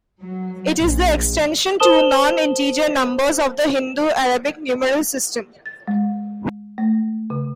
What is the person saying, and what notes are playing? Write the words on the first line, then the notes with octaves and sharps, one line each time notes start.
It is the extension to non-integer numbers of the Hindu-Arabic numeral system.
F#3
A#1
A#4 C5 A5 D#6 E7 G7
A6
G#3
A3
C#3